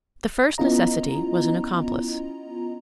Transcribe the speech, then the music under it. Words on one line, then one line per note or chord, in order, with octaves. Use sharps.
The first necessity was an accomplice.
B3 C#4 E4 F4 D#5 A#5